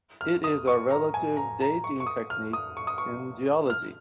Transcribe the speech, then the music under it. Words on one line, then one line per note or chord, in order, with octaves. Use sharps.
It is a relative dating technique in geology.
F6
D#6
C#6
A#5
G#5
A#5
A#5
C#6
C#6
D#6
F6
D#6
C#6
D#6
C#6
F6